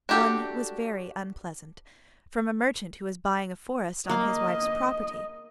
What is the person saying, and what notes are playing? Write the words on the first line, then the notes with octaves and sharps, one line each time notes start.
One was very unpleasant, from a merchant who was buying a forest on his wife's property.
D4 F#4 G4 A4
A#3 D#5 F5